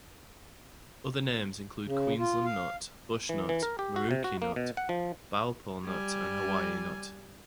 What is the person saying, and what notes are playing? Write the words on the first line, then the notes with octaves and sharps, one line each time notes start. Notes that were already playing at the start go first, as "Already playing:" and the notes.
Other names include Queensland nut, bush nut, maroochi nut, bauple nut, and Hawaii nut.
C#3
F4
F5
E3
E3
A#4
G4
F#4
C3
F#4
A#3
B2
F#5
F3
G3 G#5